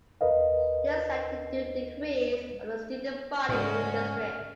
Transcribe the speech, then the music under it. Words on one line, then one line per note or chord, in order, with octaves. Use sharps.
This led to the decrease of the student body in the district.
D#2 A#4 B4 D#5 F5
D2 G#2 C#3 C#4 F#4 F6